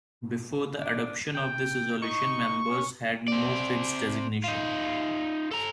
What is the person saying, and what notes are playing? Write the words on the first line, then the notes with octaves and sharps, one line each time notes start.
Before the adoption of this resolution, members had no fixed designation.
D4
G5
D#4 C#6
C#4
C4 D5
D#4 F4
A4 A#5